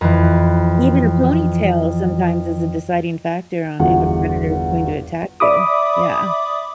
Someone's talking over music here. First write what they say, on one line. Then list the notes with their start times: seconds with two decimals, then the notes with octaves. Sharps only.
Even a ponytail sometimes is a deciding factor on if a predator is going to attack you. Yeah.
0.01 F2 E3
3.80 G1 E2 F4 F#4 F#5
5.40 D5 E5 B5 D6 D#6